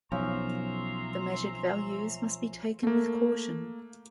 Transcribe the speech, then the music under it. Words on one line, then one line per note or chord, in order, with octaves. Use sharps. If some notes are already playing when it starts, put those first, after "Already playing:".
The measured values must be taken with caution.
B1 F3 C#4 E5 A#5 C6
A3 A#3